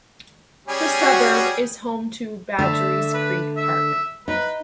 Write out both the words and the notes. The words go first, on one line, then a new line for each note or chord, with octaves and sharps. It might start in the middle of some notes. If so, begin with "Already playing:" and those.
The suburb is home to Badgerys Creek Park.
G3 C#4 G#4
F#4
D3 A3 E5
B4
E5
D#4 B4